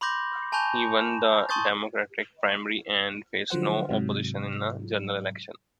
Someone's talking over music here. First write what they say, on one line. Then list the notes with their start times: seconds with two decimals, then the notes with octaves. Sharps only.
He won the Democratic primary and faced no opposition in the general election.
0.01 B5 C6 D6 G6 A#6
0.52 G#5 A5 B5 C#6 G6 F7
1.49 A5 C6 C#6 D#6 G6 A6
3.50 D3 F3 F#3 C5 F#5
3.89 G#2 C3 F#3